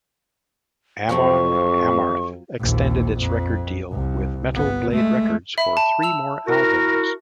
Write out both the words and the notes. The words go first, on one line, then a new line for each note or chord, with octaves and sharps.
Amon Amarth extended its record deal with Metal Blade Records for three more albums.
F2 F3 F#3 C4 C#6
A#1 D#2
F2
C2
G1 B3
G#3 A3
E5 B5
A5
A5 E6 F7
E4 F#4 A#4